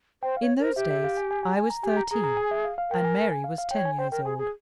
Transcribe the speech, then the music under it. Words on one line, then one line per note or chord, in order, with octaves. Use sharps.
In those days I was thirteen, and Mary was ten years old.
C5 G5
C#5 F5
A#4 C5
G4 E5
E5
F5
G#5
G#5
G#5
G#5
A#5
G4 G#5
A#5
G#4 A#5
A#5
G#5
E5
F5
F5
A#4 G5
G#5
G#5
G#5
F5
F5
C#5 G5
G#5
C5 G5
A#4 G5
G#4 G#5
G#4